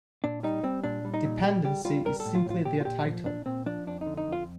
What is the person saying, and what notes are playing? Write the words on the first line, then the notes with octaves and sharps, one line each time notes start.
Dependency is simply their title.
A#2 D4
G3 D#4
G3 C4
A#2 D4
G3
D#4
A#2
G3 G4
G3 G4
G3 F4
G3 A#4
A4
A2
F4
A2 F4
A#2 G4
F4
A#2 G4
F3
A#2 D4
A#2 C4
F3 D4
F2 D4
D#4
D3
D#4
F2 F4